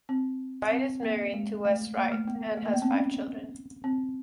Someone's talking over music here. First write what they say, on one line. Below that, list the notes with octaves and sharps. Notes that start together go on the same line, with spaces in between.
Wright is married to Wes Wright and has five children.
C4
C4
A#3
G#3
A3
A#3
A3
B3
A3
A#3
B3
C4
C#4
C4